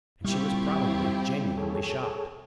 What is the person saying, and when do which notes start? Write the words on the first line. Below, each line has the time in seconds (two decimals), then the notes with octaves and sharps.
And she was probably genuinely shocked.
0.25 A#2 G3 C4 E4 F4 G4 C#6 G#6
1.57 G#4 A4 C#5